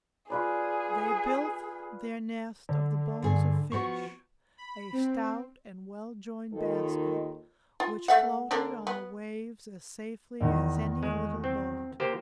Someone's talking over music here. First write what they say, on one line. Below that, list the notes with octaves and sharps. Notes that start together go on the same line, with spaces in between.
They built their nest of the bones of fish, a stout and well-joined basket which floated on the waves as safely as any little boat.
F4 G#4 B4 D5
D3
G2 G#4
F3 B3 F#4 C#6
B5
C4
D#2 D#3 D#4 F4 A4
F4
A3 E5 F#5
D3 A#3 D4
B3
E2 D#3
G#3
C4
A#3 G4 C5